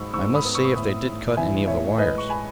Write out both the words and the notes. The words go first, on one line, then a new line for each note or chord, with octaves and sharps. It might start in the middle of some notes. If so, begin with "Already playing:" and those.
"I must see if they did cut any of the wires."
Already playing: G#2 F#3 B5 C#6 D#6 E6
G#2 C#6 E6
B5 D#6
B3 D#6
C#6 E6
C#6
A2 B5 D#6
A2
E3 E5 G#5
A2 C#5 E5
E5
G#3 B4 D#5
C#6
G#3 G#5 B5